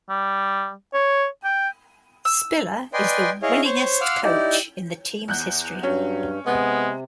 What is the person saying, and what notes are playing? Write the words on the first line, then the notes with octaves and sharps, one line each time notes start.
Spiller is the winningest coach in the team's history.
G3
C#5
G5
E6
B4 D5 D#5 G5 G#5 C6
E4 G#4 C#5 D#5 F5
C5 C#5
F5 F#5 C6 D6 E6 F6
D#4 E4 G4 D5
E2 F#6 G6
G2 F#3 C#4
C3 G#3 B3